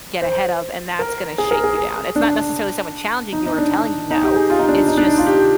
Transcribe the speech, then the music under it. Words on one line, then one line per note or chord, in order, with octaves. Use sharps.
get ahead of, and that's gonna shake you down, it's not necessarily someone challenging you or telling you no, it's just
C5
A#4
G#4
A#4
G#4
D4
D#4
D#4
D4
D#4
G4
G#4
F4
D#4
D4
D#4
D4
D#4
F4
G4